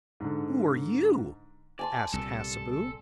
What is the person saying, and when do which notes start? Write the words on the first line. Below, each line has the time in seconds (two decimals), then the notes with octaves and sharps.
'Who are you?' asked Hassebu.
0.20 G#2 D3
1.79 D5 G#5 A5 C6
2.13 C2 A#2 G3 A4